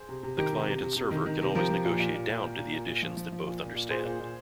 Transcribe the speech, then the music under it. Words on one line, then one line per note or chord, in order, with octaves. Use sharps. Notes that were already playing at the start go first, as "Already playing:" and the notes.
The client and server can always negotiate down to the additions that both understand.
Already playing: G#4 C5
C3
C3
D#3 G4 A#4
C3
C3
C3
C3
D#3
D#3
C3
F3 G4 A#4
F3
A#2
A#2
A#2
A#2
A#2
A#2
A#2
A#2
F3
F3
F3
A#2
A#2
A#2
A#2 G#4 C5
A#2
A#2